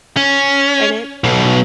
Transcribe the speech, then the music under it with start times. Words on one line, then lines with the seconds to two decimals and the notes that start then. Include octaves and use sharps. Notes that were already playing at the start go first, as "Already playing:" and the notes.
and it
0.17 C#4
1.24 B1 B2